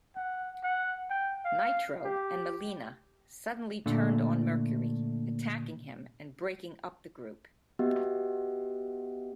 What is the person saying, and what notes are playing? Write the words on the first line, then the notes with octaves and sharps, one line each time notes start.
Nitro and Melina suddenly turned on Mercury, attacking him and breaking up the group.
F#5
F#5
G5
F5
G4
A#2 D3 A3 D4
B3 F#4 G4 D#5 E5 F#5